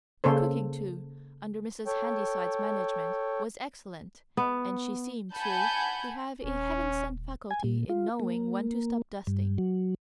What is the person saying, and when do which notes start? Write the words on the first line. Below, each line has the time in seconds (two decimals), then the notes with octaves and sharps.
The cooking, too, under Mrs. Handyside's management was excellent, and she seemed, too, to have a heaven-sent faculty in knowing when to stop dusting.
0.24 C#3 A#3 A4 C5
1.86 A4 C#5 G5
4.37 B3
5.35 F#5 G#5 A5 B5 G6
6.43 D#1 C#4
7.51 G#5
7.64 A#2
7.89 F4
8.20 A#3
9.27 G2
9.58 F#3